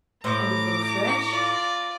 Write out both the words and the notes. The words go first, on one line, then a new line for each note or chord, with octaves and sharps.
Anything fresh?'
A2 C5 A#5 D6
F4 D5